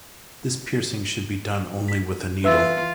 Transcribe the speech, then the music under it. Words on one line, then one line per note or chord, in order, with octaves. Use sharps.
This piercing should be done only with a needle.
B6
E3 F4 B4 E5 E6